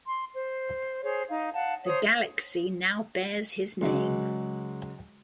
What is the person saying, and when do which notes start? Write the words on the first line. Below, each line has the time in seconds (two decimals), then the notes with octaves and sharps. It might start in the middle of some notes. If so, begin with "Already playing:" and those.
The galaxy now bears his name.
0.06 C6
0.34 C5
1.03 G#4 C5 C#5
1.30 D#4 F5
1.53 F5 F#5 A5
1.85 C5 C#5 D#6
3.81 C#2 F#3 G#3 D5